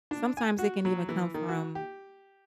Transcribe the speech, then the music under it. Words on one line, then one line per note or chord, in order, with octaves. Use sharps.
sometimes it can even come from
D4
G#5
F#4
F#3
E3
D#3
F#4
G4